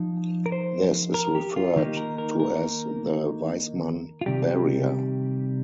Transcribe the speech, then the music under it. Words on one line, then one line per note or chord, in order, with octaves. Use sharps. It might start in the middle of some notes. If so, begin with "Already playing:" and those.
This is referred to as the Weismann barrier.
Already playing: F3 D#4
A#4
C5
A#4
G4
F4
D#3 A#3 D#4 G4
A#4
A#4
A#4
F4
C3 D#3 G3 G4